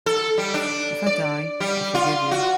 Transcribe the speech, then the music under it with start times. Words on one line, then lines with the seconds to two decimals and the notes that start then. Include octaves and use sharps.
If I die, I forgive you.
0.06 A4
0.38 G3
0.54 D4
1.06 D5
1.60 G3
1.95 F4
2.31 F#4